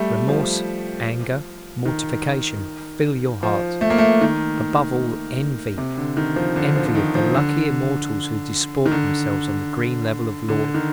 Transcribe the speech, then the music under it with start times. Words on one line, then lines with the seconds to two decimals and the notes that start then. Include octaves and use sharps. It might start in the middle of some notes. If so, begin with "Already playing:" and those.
Remorse, anger, mortification, fill your heart; above all, envy--envy of the lucky immortals who disport themselves on the green level of Lord's.
Already playing: G3 A3
0.29 F3
1.85 D#3
3.43 F3
3.81 A3
3.90 A#3
3.98 A3
4.21 D#3
5.78 C3
5.97 D3
6.17 D#3
6.36 F3
6.56 D3
6.76 F3
6.86 F3
6.95 D#3
7.15 F3
7.34 D3
8.86 D#3
8.92 D3
10.49 D3
10.74 D#3